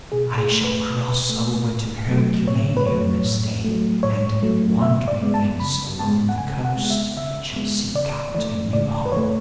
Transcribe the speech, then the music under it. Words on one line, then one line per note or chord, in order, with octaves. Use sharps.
'I shall cross over to Herculaneum this day, and, wandering thence along the coast, shall seek out a new home.
B2 G#4
G#4
A3
B4
B2
A3
A2
F#3 A3
A2 C#5
B4
F#3 A3 C#5
A2
F#3 A3
A2 C#5
F#3 A3
C#3 E5
D5
G#3 B3
A5
C#3 B5
G#3 B3 A5
F#5
C#3 G#5
F#5
G#3 B3
E5
C#3 E5
G#3 B3
C#3 D5
E3 A3 D5
C#3 D5
B4
E3 A3 C#5